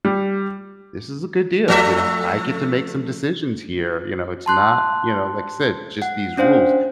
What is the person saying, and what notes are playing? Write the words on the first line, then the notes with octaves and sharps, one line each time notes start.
This is a good deal, you know? I get to make some decisions here, you know? It's not, you know, like said, just these rules
G3
F3 A3 E5
A5 C6 F#6
F#5
C#4 D4 C5 F5 F#5